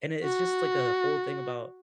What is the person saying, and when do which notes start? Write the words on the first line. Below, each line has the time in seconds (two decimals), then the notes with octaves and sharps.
and it's just, like, a whole thing about
0.24 F#4